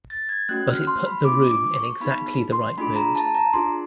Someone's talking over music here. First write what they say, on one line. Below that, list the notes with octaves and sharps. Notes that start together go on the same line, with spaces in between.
But it put the room in exactly the right mood.
A6
G#6
A3 C#4 F#4 F#6
F6
C6
B5
A#3 D4 F4 D6
D6
C#6
B3 D#4 G#4 B5
C6
A3 D4 F4 G#4 B5
A#5
A5
A#5
D4 F4 G#4 C6